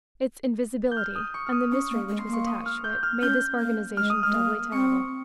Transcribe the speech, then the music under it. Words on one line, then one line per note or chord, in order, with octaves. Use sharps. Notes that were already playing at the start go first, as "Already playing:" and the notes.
Its invisibility, and the mystery which was attached to it, made this organization doubly terrible.
G6
F6
D#6
C#6
F6
D#6
C#4 C#6
A#3
G#3
C6
A#3
C#6
D#6
F6
G6
F6
C#4 G6
A#3
G#3 F6
D#6
G#3 F6
A#3
C4 C#6